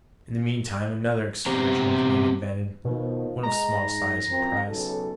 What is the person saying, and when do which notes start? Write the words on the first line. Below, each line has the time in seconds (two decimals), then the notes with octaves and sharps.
In the mean time another excursion was being invented, one of small size and price.
1.46 B3 C4 G4 C5 A#5
2.85 B2 D#3 F3
3.43 G#3 A#5
3.80 G#2
4.29 F#2 F3 C4
4.68 B1 C#3 A4